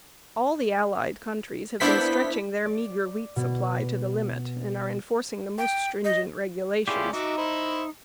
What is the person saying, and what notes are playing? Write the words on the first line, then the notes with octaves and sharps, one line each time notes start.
All the Allied countries have been stretching their meagre wheat-supply to the limit and are enforcing the most stringent regulations.
A#3 B3 D4 E4 C5 B6
D5
B2
G5
D#5
C#4 E4 F4 G4 G#4 D5
D#4 F#4 E5 D6
C5 E5 B5